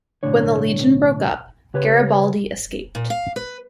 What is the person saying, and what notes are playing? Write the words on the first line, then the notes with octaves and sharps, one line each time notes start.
When the legion broke up, Garibaldi escaped.
B1 A2 D3 D4 C#5
C#3 G4 B4 C#5
A#2
F5
B4